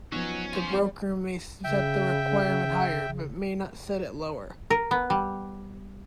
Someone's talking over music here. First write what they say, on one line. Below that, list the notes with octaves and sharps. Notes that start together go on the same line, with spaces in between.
The broker may set the requirement higher, but may not set it lower.
F3 F#3 B3 C#4 D#4
F4 C5
G3
C#3 E5 G5
A#4
B3
G3